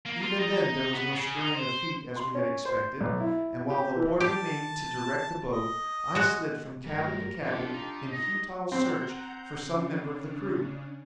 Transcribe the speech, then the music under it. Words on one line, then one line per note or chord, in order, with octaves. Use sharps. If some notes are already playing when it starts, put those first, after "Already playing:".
Even then there was no scurrying of feet as we had expected, and while the boy remained to direct the boat I slid from cabin to cabin in futile search for some member of the crew.
A#3
F4
D#4
B3
C#3
D#4
C5
C6
C#4
C5
B1
E4
G4
E3
G4 A5
D#5
G#3 F#4
G2 A3 A#4
C2 D4 F4 G4 A4
D#4
D#5
C4 F#5 A#5 G6
C#3 C#4 D4